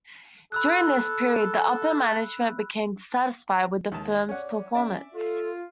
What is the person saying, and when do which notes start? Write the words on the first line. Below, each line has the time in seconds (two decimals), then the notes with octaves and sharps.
During this period, the upper management became dissatisfied with the firm's performance.
0.52 A4 B5 E6 F#6
3.92 D#2 G#3 A5
4.29 C#4 D5 F#5
4.75 C#4 D5 E5
5.15 F4 A4